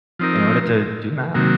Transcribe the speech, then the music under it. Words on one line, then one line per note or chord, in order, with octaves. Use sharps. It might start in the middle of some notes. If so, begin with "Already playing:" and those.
in order to do math.
F3 C4 D#4 A#4
C3 D#3 F#3 A#3